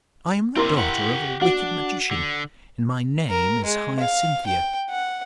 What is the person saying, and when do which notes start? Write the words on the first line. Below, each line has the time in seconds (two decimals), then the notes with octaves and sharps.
I am the daughter of a wicked magician, and my name is Hyacinthia.
0.56 C4 D4 E4 A#4 C6
0.78 G4 F#5
1.42 D4 F#4
2.11 D3
3.29 A#4
3.64 G#3
3.99 F5
4.47 G5
4.90 F#5